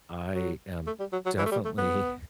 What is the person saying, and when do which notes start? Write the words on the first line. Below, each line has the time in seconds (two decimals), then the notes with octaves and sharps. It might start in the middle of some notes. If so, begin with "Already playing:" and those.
I am definitely
0.34 F#3
0.87 A3
1.00 G3
1.13 F#3
1.26 F#3
1.39 E3
1.46 A3
1.52 G3
1.65 A3
1.78 B3